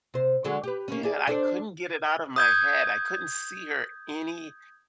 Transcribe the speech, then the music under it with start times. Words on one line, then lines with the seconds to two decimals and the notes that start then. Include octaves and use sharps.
Yeah, I couldn't get it out of my head. I couldn't see her any
0.14 C3 C5
0.45 D3 F#3 G#3
0.63 G4 B4
0.88 A#3 B3 C#4
1.03 D4 G#4
1.27 D4 A4 C5
2.36 D#6 G6 G#6